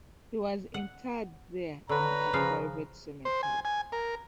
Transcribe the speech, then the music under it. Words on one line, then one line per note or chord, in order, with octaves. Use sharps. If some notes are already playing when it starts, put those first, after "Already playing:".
He was interred there in a private cemetery.
F#5
D3 B4 C#5 A#5
C#3 F3 F5
C5
G#5
G#5
A#4